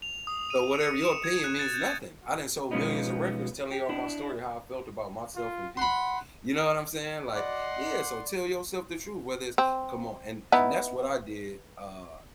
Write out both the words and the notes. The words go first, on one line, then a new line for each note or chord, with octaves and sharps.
So whatever your opinion means nothing, I done sold millions of records telling you all my story, how I felt about myself and people." You know what I'm saying? Like, yeah, so tell yourself the truth, whether it's come on, and and that's what I did, uh,
F7
D#6
D#7
F7
C#7
E7
G#6
F#6
A6
G6
B2 F3 G#3 B3 C#4 D#4
G4
D4 E4
F4
F#5 B5 C6
D5 D#5 F#5 C6
C4
B3 D#4 E4